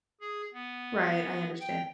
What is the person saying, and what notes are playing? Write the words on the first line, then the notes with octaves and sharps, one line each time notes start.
Right. I understand.
G#4
B3
G5